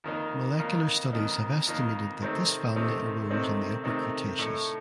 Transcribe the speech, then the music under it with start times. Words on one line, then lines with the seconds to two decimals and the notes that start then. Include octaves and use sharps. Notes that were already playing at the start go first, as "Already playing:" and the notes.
Molecular studies have estimated that this family arose in the Upper Cretaceous.
0.04 F2 D#3 A#3 D#4
0.59 F2 D#3 A#3 D#4
1.13 F2 D#3 A#3 D#4
1.67 F2 D#3 A#3 D#4
2.22 C3 D#3 A3 C4 D#4
2.76 C3 D#3 A3 C4 D#4
3.30 C3 D#3 A3 C4 D#4
3.84 C3 D#3 A3 C4 D#4
4.39 A2 A3 D#4 A4